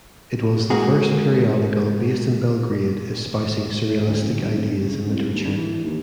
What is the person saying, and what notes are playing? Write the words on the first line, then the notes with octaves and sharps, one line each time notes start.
It was the first periodical based in Belgrade espousing surrealistic ideas in literature.
G#3 A#3 F#4 G#4
A2
D2
F#1
G1
D1
C#3
C2
D#2
G2
E3
D#2